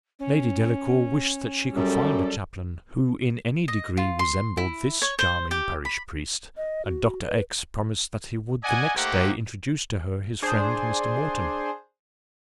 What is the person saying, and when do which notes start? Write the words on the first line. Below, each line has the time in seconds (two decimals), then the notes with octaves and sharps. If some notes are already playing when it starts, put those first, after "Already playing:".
Lady Delacour wished that she could find a chaplain, who in any degree resembled this charming parish priest, and Dr. X----promised that he would the next day introduce to her his friend Mr. Moreton.
0.19 C#4
1.76 F#2 G3 A4
3.68 D#5
3.97 F4
4.19 C6
4.57 E4
5.02 C#5
5.19 C5
5.51 G4
5.85 B5
6.57 D#5
6.85 F#4
7.27 B4
8.63 D5 D#5 F#5 G#5
8.96 A3 A#3 D#4 G4 C5 F#5
10.42 D4 G#4 C5